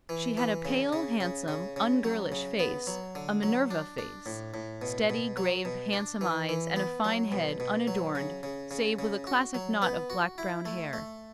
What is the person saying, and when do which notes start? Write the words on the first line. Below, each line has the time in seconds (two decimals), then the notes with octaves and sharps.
She had a pale, handsome, ungirlish face--a Minerva face--steady, grave, handsome eyes, and a fine head, unadorned, save with a classic knot of black brown hair.
0.09 E3
0.37 E3
0.65 C#3
0.93 C#3
1.20 C#3
1.48 C#3
1.76 C#3
2.04 F#3
2.32 C#3
2.59 B3
2.87 F#3
3.15 D3
3.43 F#3
3.71 D4
3.98 D4
4.26 A2
4.54 A2
4.82 B2
5.10 B2
5.37 F#3
5.65 B2
5.93 D4
6.21 E3
6.49 E3
6.76 B3
7.04 F#3
7.32 B2
7.60 B2
7.88 F#3
8.15 C#3
8.43 C#3
8.71 C#3
8.99 C#3
9.27 F#4
9.55 F#3
9.82 B3
10.10 F#4
10.38 E4
10.65 A3
10.93 A3